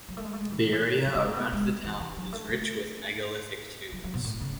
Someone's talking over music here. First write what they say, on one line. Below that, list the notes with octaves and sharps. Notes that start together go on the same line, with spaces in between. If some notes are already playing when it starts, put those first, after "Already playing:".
The area around the town is rich with megalithic tombs.
F#3
A3
G#3
A3
G#3
E3
D#3
E3
F#3
G#3
A3
B3
G#3
E3
E3
F#3
A3
A3
F#3
F#3
B2
A2
C#3